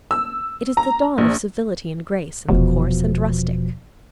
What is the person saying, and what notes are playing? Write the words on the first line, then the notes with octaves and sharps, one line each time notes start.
It is the dawn of civility and grace in the coarse and rustic.
E6
A#5
A#1
F1 E2 B2 F3